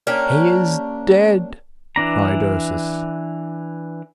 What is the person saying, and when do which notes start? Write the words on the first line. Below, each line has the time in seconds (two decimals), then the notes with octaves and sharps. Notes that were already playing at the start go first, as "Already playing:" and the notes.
"He is dead!" cried Ursus.
0.07 A#3 C#4 D4 G4
1.96 E3 D4 A#5